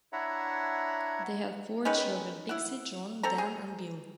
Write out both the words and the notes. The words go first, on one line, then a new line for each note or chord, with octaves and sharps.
They had four children; Pixie, John, Dan and Bill.
D4 E4 C#5 E5 F#5 A#5
D#3 G#3 C#4 B4
E4 F#5
C4 A4 A#5
G#4